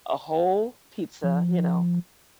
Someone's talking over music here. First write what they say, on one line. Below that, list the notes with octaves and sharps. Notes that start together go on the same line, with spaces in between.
a whole pizza, you know,
F3